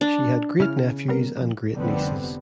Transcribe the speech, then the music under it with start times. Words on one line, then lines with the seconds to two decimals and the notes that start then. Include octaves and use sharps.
She had great-nephews and great-nieces.
0.01 D4
0.60 C#3 E4 F6
1.08 G3 B3 A#4
1.37 C#3 F3
1.74 F1 D3 G3 B3 C4